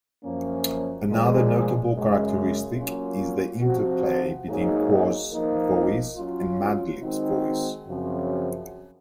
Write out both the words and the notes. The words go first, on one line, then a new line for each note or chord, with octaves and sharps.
Another notable characteristic is the interplay between Quas' voice and Madlib's voice.
F#2 F3 A#3 C#4
A#2 F3 G#3
F#2 C#3 G#3
F#3 A#3 C#4 F4
C3 F3 C4 F#4
G#2 F#3 A#3 D#4 G#4
F3 A#3 D#4 A#4
F#3 C#4 F4
D#3 G#3 C4 D#4 F#4
F#2 C#3 F3 C4 F#4